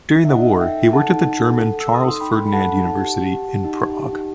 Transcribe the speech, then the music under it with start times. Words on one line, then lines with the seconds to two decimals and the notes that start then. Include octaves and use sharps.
During the War, he worked at the German Charles-Ferdinand University in Prague.
0.25 E5
0.29 D#4 D#5 F#5
0.45 D#4
0.61 A4 E5 G5
0.77 D#4
0.93 A4 F#5 A5
1.09 D#4
1.26 D#4
1.41 A4
1.57 A4
1.73 A4
1.80 E6
1.89 A4
1.94 D#6
2.05 D#4 C6
2.20 D#4 G5 B5
2.37 A4
2.48 B5
2.53 A4 F#5 A5
2.69 A4
2.85 D#4 F#5 A5
3.01 G4
3.16 G4
3.33 G4
3.49 G4
3.65 D#4
3.81 G4
3.97 G4
4.13 D#4